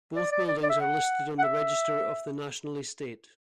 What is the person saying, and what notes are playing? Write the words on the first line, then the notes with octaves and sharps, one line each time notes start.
Both buildings are listed on the Register of the National Estate.
D5
D5
D5
D5
E5
F#5
F#5
E5